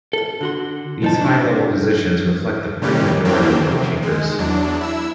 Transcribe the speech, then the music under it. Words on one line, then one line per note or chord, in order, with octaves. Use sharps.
These high level positions reflect the party majority in both chambers.
A4
D3 F#4 C6
B1 F3 D#4 D5 A5
D4
C3 D#3 G3 C#4 G4
E3 F#3 A#3 C4 D4 G4
F#2 C3
G#3
E2 F#3 D4
E4 E6